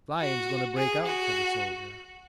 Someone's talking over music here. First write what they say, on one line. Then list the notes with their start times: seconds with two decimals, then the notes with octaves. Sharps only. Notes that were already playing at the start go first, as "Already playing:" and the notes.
"Flying's going to break out," said the soldier.
0.21 F#4
0.77 G#4
1.05 F#4